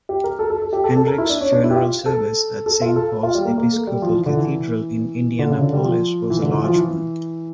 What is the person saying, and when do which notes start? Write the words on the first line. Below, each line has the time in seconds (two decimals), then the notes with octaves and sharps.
Hendricks's funeral service at Saint Paul's Episcopal Cathedral in Indianapolis was a large one.
0.09 G4
0.24 A#4
0.39 A4
0.50 A4
0.62 A4
0.73 G4
0.84 A4
0.96 A4
1.07 A#4
1.18 E4
1.30 D4
1.41 C#4
1.52 D4
1.64 E4
1.70 G4
1.76 F4
2.06 A4
2.66 A4
2.81 F4
2.96 A4
3.23 F4
3.35 G3
3.45 A#3
3.58 A#3
3.72 A3
3.87 G3
4.02 F3
4.14 E3
4.26 D3
4.37 E3
5.39 D3
5.50 C#3
5.62 D3
5.73 G3
5.84 F3
6.30 E3
6.42 D3
6.53 E3
6.64 F3
6.76 E3